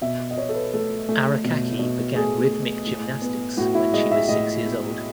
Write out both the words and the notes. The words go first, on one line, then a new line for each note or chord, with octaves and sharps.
Arakaki began rhythmic gymnastics when she was six years old.
B2 E5
D#5
B2 C#5
A4
B4
A3 A4
A3
B2
B2
A3 G#4
A3
A2
B3
A2 F#4
E4
G#3 D#5
E5
A2 D#5
B3